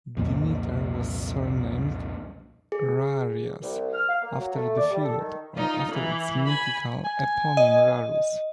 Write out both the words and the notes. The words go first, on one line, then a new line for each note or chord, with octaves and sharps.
Demeter was surnamed "Rharias" after the field, or after its mythical eponym Rarus.
C2 F2 A#2 A#3
G#4
C2
F6
F5
A#3
F#3
A3
D5
G3
A4
D#3
D#4 F4
E3
G#5 B5
G#5
D#5